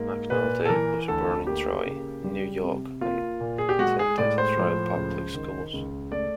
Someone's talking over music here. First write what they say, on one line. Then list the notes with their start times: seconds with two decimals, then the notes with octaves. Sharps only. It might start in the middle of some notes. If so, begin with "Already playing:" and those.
McNulty was born in Troy, New York and attended Troy public schools.
Already playing: G#2 A#3
0.30 A#2 B4
0.65 A4
0.69 E3 A#4
1.08 D2 A4
1.47 A#3 G4
1.86 C#3
2.24 G3
2.64 C3
3.01 A#3 F4
3.40 A#2
3.58 G#4
3.69 G4
3.79 G#3 F#4
3.99 G#4
4.18 A2 D5
4.38 C5
4.57 F3
4.95 C#2
5.34 D#3
5.74 C#2
6.12 A3 D5